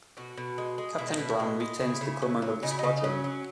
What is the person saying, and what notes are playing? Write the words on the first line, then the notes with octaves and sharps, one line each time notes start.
Captain Brown retained the command of the squadron.
B2 F#4
B2
G#3
G#3
B2 E4
D#4
B2 E4
G#3
G#3
C#3 E4
C#3
F#3
F#3
C#3 D#4
E4
C#3 D#4
D#4
F#3 C#4
F#3